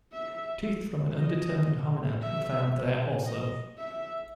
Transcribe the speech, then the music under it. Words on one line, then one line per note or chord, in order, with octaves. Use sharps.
Teeth from an undetermined Hominan were found there also.
E5
D#5
E5
D#5
E5